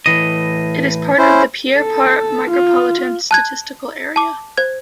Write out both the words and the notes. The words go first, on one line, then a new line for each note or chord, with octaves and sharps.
It is part of the Pierre Part Micropolitan Statistical Area.
A2 E3 D#5
C#4 E4 C5
A4
F4
A5 F#6 G#6
A5 D6
C5 G#6